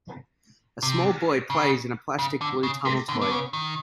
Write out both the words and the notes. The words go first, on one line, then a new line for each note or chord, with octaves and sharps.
A small boy plays in a plastic blue tunnel toy.
C3
C#3
C#3
D3
C#3
C3
D3
D3
C#3
D#3